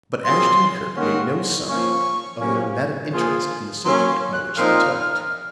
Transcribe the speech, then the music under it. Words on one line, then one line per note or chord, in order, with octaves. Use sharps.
But Ashton-Kirk made no sign other than that of interest in the subject upon which they talked.
A#2 F#3 C4 F4 G#4 C6
D#3 A#3 C#4 F#4
F3 A#3 C#4 C#6
C3 F#3 A#3 C#4
F3 A#3 F4 G#4
F#3 A#3 C#4 C6
C6
F#6
A#2 F3 C4 D#4 F6